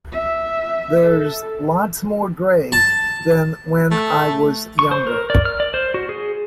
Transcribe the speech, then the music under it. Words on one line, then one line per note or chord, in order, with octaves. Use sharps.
There's lots more grey than when I was younger.
E5
A4
A5
A3
C#6
C5
A#4
D5
F6
D5
C5
F#4
G#4